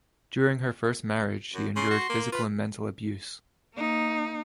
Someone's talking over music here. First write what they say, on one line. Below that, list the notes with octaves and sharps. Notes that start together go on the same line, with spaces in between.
During her first marriage, she endured physical and mental abuse.
F#2
C#3 C6
F#4
A#3
F4 B4
A#3 D#4